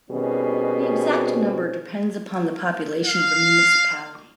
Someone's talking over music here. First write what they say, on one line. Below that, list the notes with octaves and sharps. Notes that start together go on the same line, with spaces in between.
The exact number depends upon the population of the municipality.
B2 D#3 G3 C4 C#4 G#4
F5